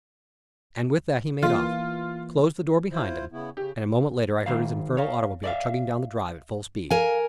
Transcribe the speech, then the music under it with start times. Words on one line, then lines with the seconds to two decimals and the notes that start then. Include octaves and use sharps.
And with that he made off, closing the door behind him, and a moment later I heard his infernal automobile chugging down the drive at full speed.
1.43 E3 A#3 F4
2.92 E4 F4 C5
3.32 C#3 B3 E4
3.57 C#3 G4
4.46 G#2 D#3 F5
4.97 C#5 F5
5.44 D5 E5 F5
6.90 A#4 F5 G#5